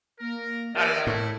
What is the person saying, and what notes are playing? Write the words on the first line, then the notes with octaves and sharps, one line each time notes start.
I don't know,
A#3 A#4
G4 A#4 C#5 D5 E5 A#6
A2 E4 A5 C#6 G6